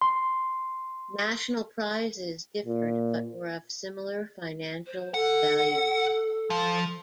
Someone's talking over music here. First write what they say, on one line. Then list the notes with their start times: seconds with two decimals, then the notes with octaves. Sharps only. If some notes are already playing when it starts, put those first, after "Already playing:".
National prizes differed but were of a similar financial value.
0.01 C6
2.65 A#2
4.87 C5
5.14 A4 F#5
6.50 F3